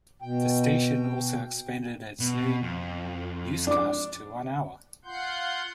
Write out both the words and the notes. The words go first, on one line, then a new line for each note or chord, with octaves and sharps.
The station also expanded its noon newscast to one hour.
B2 G5
B2
F2
D4 D6
F4 F#5 C6 G6